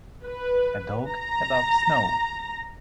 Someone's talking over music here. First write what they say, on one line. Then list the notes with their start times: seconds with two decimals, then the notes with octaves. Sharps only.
A dog above snow.
0.23 B4
1.10 A#5